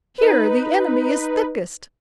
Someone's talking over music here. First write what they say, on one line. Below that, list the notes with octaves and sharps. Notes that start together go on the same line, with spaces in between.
Here the enemy is thickest!
D#4 B4